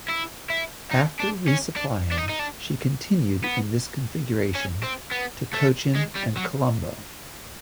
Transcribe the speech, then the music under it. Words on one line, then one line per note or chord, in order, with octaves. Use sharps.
After resupplying she continued in this configuration to Cochin and Colombo.
E4
E4
D#4
D4
C#4
D4
D4
D#4
D#4
D4
B3
C#4
C4
B3
A3
G#3
G3
F#3